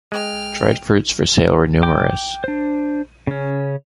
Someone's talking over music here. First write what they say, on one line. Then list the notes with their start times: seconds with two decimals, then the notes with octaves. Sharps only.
Dried fruits for sale were numerous.
0.12 G#3 G5 F6
1.83 G5 D6
2.44 D4 C5
3.27 C#3 C#4